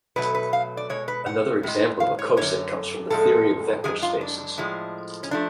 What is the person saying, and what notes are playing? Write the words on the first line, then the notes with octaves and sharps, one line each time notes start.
Another example of a coset comes from the theory of vector spaces.
B2 F#3 A3 B4
B4
F5
D5
B2 G#3 C#5
B4
F#5
A2 G#3
F5
C#5
F#2 D3 G#3 C#5
A2 F3 G#3 A4
F#2 F3 G#3 G#4
F4
D4
A2 F3 G#3
C#4
F3 A3 D4